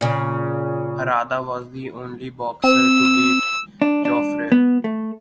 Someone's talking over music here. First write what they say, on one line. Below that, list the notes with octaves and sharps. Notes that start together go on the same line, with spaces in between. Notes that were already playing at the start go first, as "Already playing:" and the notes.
Harada was the only boxer to beat Jofre.
A#2 C#3
C4 E6
D4
D4
B3
A3